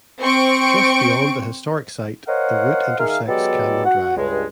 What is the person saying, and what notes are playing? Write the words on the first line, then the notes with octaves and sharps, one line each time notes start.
Just beyond the historic site, the route intersects Canyon Drive.
C4 C#6 D7
A#4 C5 C#5 D#5 F5 F#5
D#3 G#4 A#4 E5 F5
F#3 G#3 B3 G4 A4 D5
F#4 F#5
C#2 G2 G#3